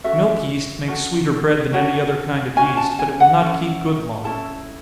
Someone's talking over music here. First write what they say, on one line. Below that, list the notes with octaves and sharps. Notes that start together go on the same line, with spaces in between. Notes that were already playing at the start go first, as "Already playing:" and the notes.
Milk yeast makes sweeter bread than any other kind of yeast, but it will not keep good long.
C#4 F#4 A4 E5
C#4 F#4 A4
C#4 F#4 A4
C#4 F#4 G#5
A5
G#5
F#5
C#4 E4 A4
C#4 E4 A4 A5